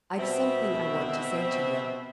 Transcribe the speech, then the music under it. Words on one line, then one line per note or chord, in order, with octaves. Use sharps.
"I've something I want to say to you."
B2 C4 E5